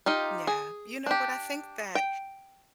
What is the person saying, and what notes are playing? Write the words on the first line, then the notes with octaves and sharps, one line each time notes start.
Yeah. You know what, I think that
D#4 F4 G4
G#4
D4 G4
G5